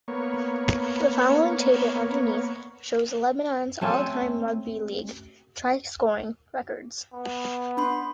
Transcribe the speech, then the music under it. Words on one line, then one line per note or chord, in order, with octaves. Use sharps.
The following table underneath shows Lebanon's all-time rugby league try scoring records.
A#3 B3 C#5
A3 C4 C#4 A4
B3
D4 B5 C6